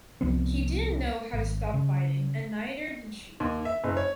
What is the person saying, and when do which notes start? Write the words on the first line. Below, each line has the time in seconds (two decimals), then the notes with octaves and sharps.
He didn’t know how to stop fighting, and neither did she.
0.21 C2 F3 B3 C4
1.33 G#1
1.74 C#3
3.40 D#2
3.65 E5
3.84 F#1
3.97 C#5